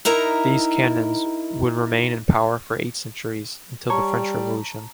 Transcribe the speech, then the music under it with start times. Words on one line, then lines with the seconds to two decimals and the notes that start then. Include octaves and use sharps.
These canons would remain in power for eight centuries, until the French Revolution.
0.05 D#4 E4 A#4 D#5 A#5
3.90 G3 C#5 A5 A#5